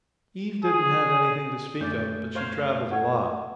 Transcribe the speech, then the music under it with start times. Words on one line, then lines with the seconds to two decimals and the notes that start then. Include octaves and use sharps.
Eve didn't have anything to speak of, but she travelled a lot.
0.64 G#4
1.80 F#2 A3 C#4 D5 G6
2.35 C5 C#5 F5
2.91 C#5 F#5